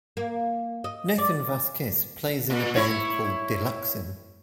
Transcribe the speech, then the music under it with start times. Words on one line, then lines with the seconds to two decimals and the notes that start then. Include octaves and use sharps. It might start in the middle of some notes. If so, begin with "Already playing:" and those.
Nathan Vasquez plays in a band called Deluxin.
0.17 A#3
0.84 D#5
1.18 D5
2.50 A#2
2.76 E4 C#5